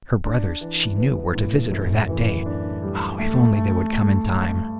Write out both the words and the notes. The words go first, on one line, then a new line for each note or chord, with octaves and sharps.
Her brothers, she knew, were to visit her that day--if only they would come in time!
D4
E3
B3
A2
F#2
E3
D4
G3
A3
A3
A3
G2